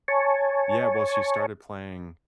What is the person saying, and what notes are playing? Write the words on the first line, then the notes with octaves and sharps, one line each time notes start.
Yeah, well, she started playing
C#5 G#5 A5 C#6